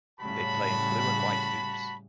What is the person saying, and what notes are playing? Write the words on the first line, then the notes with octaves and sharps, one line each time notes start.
They play in blue and white hoops.
A2 C#3 G3 F#4 A5 B5